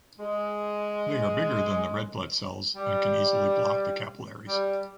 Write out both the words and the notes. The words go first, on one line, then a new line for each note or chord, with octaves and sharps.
They are bigger than the red blood cells and can easily block the capillaries.
G#3
G3
G3